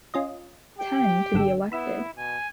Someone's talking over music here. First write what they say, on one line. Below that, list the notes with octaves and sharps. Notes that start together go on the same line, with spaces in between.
Ten to be elected.
C#4 F4 D#5
G4 G5
G#1 D3 E6
B3 E4 B5 E6
B2 G#5